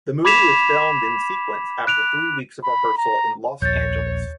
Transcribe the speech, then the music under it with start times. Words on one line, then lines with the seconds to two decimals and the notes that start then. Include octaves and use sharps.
The movie was filmed in sequence after three weeks of rehearsal in Los Angeles.
0.25 B5 D6 G#6 B6 E7 F7
1.87 F#6 D7 F7
2.64 B5
2.97 A#5
3.62 A#1 D#2 C#5 G6 A6